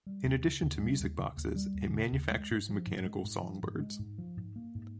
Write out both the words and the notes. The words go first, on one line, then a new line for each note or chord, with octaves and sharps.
In addition to music boxes, it manufactures mechanical songbirds.
G3
D#2
C#3
D#2
G3
D#2
C#3
D#2
G3
D#2
C#3
D#2
G#3
G#2
F3
G#2
G#3
G#2
F3
G#2
G#3
G#2
F3
G#2
A#3
G#2